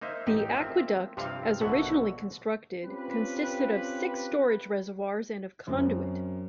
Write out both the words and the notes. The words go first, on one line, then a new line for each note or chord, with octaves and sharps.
The aqueduct as originally constructed consisted of six storage reservoirs and of conduit.
A#3 D#4 C5 E5
A1 D#4 G4
F3 A#3 C4 E5
G2 C3 F3 C4 F5
A#1 B2 D3 F#3 E5 F#5
C4 C#4 F4 G4 B4
F#2 C4